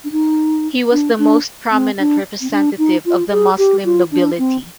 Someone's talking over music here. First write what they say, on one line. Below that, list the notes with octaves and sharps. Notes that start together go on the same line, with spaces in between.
He was the most prominent representative of the Muslim nobility.
D4
D#4
D4
D4
C4
D4
C4
D4
D#4
F4
G#4
G4
F4
D4
C4